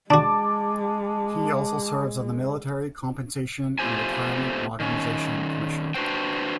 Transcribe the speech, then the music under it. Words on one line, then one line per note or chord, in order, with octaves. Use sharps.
He also serves on the Military Compensation and Retirement Modernization Commission.
G#3 D4 F#4 A5 D6
B2 A3 F4 G4 C5 G#5
D#3 C#4
D4 F#4 B4 C5 G5